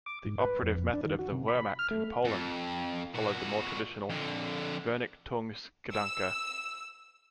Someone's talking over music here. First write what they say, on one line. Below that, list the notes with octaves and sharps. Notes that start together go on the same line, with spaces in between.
The operative method of the Wehrmacht in Poland followed the more traditional "Vernichtungsgedanke".
D6
G#2
B4
F2
F2
D4
D#3
F#4
C3
B5
F6
A3
F2
A#2 F#4
F2 D3
E6